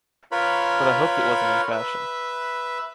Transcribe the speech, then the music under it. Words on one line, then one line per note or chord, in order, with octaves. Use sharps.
But I hoped it wasn’t in fashion.
F4 A#4 B4 C#5 B5
B4 E5